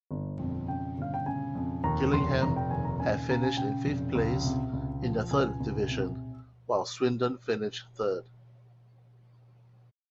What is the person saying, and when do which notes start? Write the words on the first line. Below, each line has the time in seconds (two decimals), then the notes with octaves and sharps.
Gillingham had finished in fifth place in the Third Division while Swindon finished third.
0.11 G1
0.39 F2
0.68 C#3 G5
0.98 G1 F5
1.14 G5
1.26 C#3 G#5
1.55 F2
1.84 D#2 A#5
2.13 F1 C6
2.42 F1 A#5
2.56 G5
2.71 D#2 G#5
2.85 A#5
3.00 C#3 G#5
3.29 C#3 A#5
3.44 G#5
3.57 C#3 G5
3.86 F1
4.15 C#2
4.44 C3
4.73 C#2
5.02 F3
5.31 C#2 G#5
5.60 C#2
5.88 C3